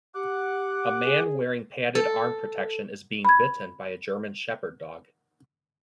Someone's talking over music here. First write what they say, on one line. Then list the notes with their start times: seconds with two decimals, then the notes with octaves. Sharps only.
A man wearing padded arm protection is being bitten by a German shepherd dog.
0.15 G4 F#5 D6 F#6
1.05 G#4
1.95 A4
3.25 B5 G#6